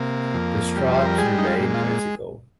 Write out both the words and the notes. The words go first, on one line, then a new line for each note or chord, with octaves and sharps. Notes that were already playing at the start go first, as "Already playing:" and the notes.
The stripes remain vertical.
Already playing: C3 A#3
F2
G3
C5
A#4
G#3 G#4
D#4
F4
A#2
F4